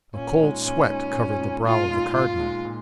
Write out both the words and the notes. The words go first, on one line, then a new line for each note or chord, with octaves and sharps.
A cold sweat covered the brow of the cardinal.
A#2 C#4
G#3 D#4
A#2 C#4
G#3 D#4
A#2
G#3 D#4
A#2 F4
G#3 D#4
A#2 F4
G#3 D#4
A#2